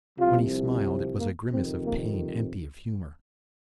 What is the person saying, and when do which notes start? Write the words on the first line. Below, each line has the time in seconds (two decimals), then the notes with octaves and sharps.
When he smiled it was a grimace of pain, empty of humor.
0.18 C2 C3 F3 F4
1.18 A#3
1.50 F2 C3 D#3 C4
1.84 A#3